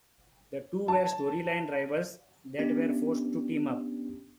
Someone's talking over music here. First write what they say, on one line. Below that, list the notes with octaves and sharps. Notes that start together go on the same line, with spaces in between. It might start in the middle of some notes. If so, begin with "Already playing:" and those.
The two were storyline rivals that were forced to team up.
A5
B3 C#4 D4 G4